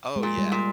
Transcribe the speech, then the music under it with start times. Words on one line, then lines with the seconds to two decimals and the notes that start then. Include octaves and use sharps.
Oh, yeah.
0.16 G#3
0.23 A#2
0.38 G3
0.52 A#2